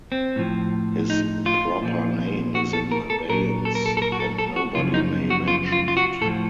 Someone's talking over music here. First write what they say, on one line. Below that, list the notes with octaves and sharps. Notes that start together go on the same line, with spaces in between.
His proper name is in abeyance and nobody may mention it.
C4
A2 F3
D#4
F4
A#2 F3
F#4
A4
A#4
A4
A#2 F#3 A#4
A4
A#4
A4
A4
A#4
F#4
A4
A4
F#4
F#2 C#3 F3 F4
D#4
F#4
F4
F4
F4
F#4
A2 F3 A4